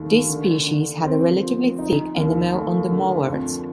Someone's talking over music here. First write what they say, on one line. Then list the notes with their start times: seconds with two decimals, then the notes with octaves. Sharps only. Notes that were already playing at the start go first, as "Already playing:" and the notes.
This species had a relatively thick enamel on the molars.
Already playing: D#2 D#3 A3
0.29 D3
0.66 D3
1.04 C4
1.41 F3
1.79 D#4
2.16 D#2
2.53 A3
2.91 D3
3.29 F2